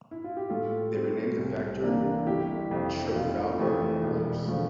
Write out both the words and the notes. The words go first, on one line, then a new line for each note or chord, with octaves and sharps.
They renamed the Factory "Trafalgar Works".
E4
F4
G4
A2 F4 A4
G3 C4
C2
C3 E3 A#3 D4
G1 E4 G4
F2 C3
F1 F4
F2 E3 A3 E4
E1
D3 F3 A3